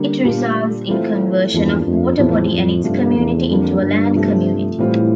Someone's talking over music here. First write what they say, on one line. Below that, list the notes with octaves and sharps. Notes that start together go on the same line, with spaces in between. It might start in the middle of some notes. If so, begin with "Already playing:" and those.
It results in conversion of water body and its community into a land community.
Already playing: D3 G3 A#3
A#2 G3 D4 F4
E3 A3 C4 F4
E2 G2 F3 A#3
F2
E2 A2 F3 C4
F2
G2 C3 F3 A3 D4 F4
E2
F2 D3 G3 A#3 D4 F4
G2
C3 F3 A3
A2 E3 G3 C4 F4